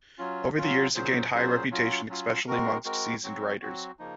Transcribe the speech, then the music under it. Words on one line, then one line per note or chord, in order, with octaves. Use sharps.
Over the years it gained high reputation especially amongst seasoned riders.
F#3 C#4 F4
F#3 C#4 F4
A#2 F#3 C#4 G#4 C5
A#2 F#3 C#4 G#4 C5
F#3 C#4 F4
F#3 C#4 F4
G#3 C4 F#4 A#4
G#3 C4 F#4 A#4
F#3 C4 F#4
F#3 C4 F#4
C#3 F3 A#3 D#4